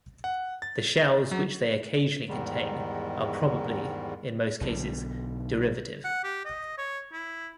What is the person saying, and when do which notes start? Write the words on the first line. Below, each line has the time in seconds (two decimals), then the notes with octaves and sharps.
The shells which they occasionally contain are probably, in most cases, derivative.
0.24 F#5
0.62 A6
1.31 F#3
2.29 E2 G#2 D#3 G3 G#3
4.61 B1 B2 D3
6.04 F#5
6.24 G4
6.45 D#5
6.78 C#5
7.12 E4